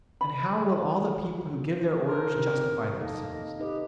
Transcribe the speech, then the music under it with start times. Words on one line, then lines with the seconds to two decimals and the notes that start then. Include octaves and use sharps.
And how will all the people who give their orders justify themselves?
0.21 B5
2.06 A4 A#4 C5
2.36 C3 D#3 G4
3.00 A#3 D#4 A4 D#5
3.60 D#4 G4 B4 D#5